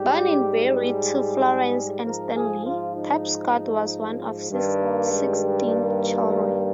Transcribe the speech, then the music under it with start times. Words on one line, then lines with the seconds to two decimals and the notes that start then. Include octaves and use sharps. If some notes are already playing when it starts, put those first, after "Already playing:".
Born in Barry, to Florence and Stanley, Tapscott was one of sixteen children.
Already playing: G#2 G3 G4
0.80 G#4
2.04 G#2 F3 A#4
2.35 G#4
2.66 F4
2.96 D#4
4.51 G2 D#3 G3
4.81 A#3
5.12 G#3
5.73 A#3